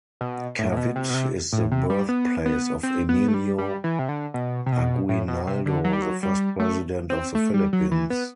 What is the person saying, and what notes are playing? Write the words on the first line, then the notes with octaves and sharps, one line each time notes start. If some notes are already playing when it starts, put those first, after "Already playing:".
Kawit is the birthplace of Emilio Aguinaldo, the first President of the Philippines.
B2
A2
A2
B2
C3
B2
C3
A2
C3
G3
B3
B3
C4
B3
A3
G3
G3
E3
C3
D3
B2
C3
B2
A2
B2
C3
D3
F#3
G3
F#3
G3
A3
C4
A3
G3
F#3
E3
B3